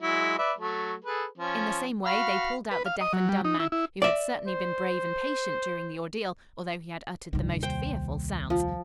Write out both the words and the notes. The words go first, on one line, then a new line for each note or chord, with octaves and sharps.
In the same way they pulled out the deaf and dumb man, who had certainly been brave and patient during the ordeal, although he had uttered the most fearful sounds.
F#3 G#3 E4
B4 D5 E5
F#3 A3
G#4 A4 B4
F3 C#4
F#4 F5 B5
B4
F5
D#5
F#3
G3
D#4
E4
E4
D5 E5
C5
D1 C2 G2 D#3 G3
D#2 C5 G5
F3